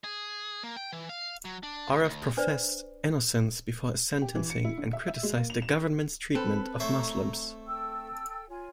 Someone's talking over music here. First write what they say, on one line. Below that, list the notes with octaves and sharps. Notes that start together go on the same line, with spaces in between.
Aref professed innocence before his sentencing, and criticized the government's treatment of Muslims.
G#4
A#3
G5
E3
F5
F#3
D4
D2
D2
D4 B4 C5 D5
G4
E3
C#7
E4
D3
E5
E5
G#3
A#3
F7
E7
C4 A4 B4 B5
A3 C5 C#5 E5 A#5
A4 G5 E6
F4 C#5 G#5